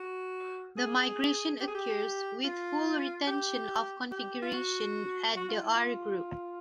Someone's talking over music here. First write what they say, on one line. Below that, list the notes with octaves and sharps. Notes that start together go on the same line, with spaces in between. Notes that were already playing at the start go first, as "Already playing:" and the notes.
The migration occurs with full retention of configuration at the R-group.
Already playing: F#4
G#4
G4
G#4
G4
F4
G4
G4
F4
F#4
F#4
F4
E4
F4